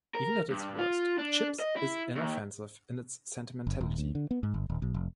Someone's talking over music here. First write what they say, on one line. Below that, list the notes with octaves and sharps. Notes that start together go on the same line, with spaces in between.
Even at its worst, "Chips" is inoffensive in its sentimentality.
A#4
G2
F4
D4
D#5
E4
D#2
F#1
D#1
D2
D3
B3
G#2
G1
D#1
B1
F1